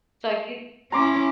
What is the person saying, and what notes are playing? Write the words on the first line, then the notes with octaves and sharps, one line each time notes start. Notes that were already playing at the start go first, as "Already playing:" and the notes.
So, you
C#4 E4 A#5 C6 D6